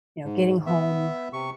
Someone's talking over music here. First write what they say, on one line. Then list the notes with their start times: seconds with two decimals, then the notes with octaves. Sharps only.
you know, getting home,
0.25 G#2
0.66 B3 E5
1.33 C3 C#6